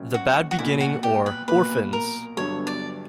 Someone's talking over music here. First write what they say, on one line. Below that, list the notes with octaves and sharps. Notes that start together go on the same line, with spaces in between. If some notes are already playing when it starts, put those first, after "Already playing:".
The Bad Beginning: or, Orphans!
Already playing: A#1 A#2 F#3 C#4
F#4
F#4
B1 A#2 A#3 E4
F#4
G4
B4
B1 A#2 A#3 B4
A#4
G1 G2 F#3 B3 D4 C#5
D5